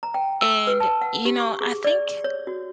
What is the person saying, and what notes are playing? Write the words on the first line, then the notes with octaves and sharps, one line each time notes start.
and, you know, I think
A#5
G5
E6
B4
A5
F#5
G4
C#6
G#4
D5
C#5
F#4